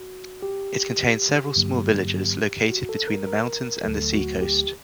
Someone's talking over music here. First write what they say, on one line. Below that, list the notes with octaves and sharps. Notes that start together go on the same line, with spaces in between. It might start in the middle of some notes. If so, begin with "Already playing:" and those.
It contains several small villages located between the mountains and the seacoast.
Already playing: F#4
G4
G2 D3 F#3 A#3
F#4
A4
A#4
A#4
D2 D3 F#3 A3 A4
F#4
G4